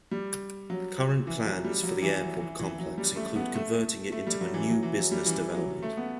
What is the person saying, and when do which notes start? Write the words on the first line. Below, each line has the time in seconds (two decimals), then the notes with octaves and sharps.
Current plans for the airport complex include converting it into a new business development.
0.11 G3
0.70 F#3
1.27 E3
1.45 F#3
1.65 G3
1.83 F#3
2.02 E3
2.21 F#3
2.40 E3
2.59 E3
2.79 F#3
2.98 G3
3.16 A3
3.36 B3
3.55 A3
4.12 A3
4.27 G3
4.41 F#3
4.54 E3
4.69 F#3
4.83 E3
4.98 F#3
5.12 G3
5.26 E3
5.55 F#3
5.82 A3
5.97 B3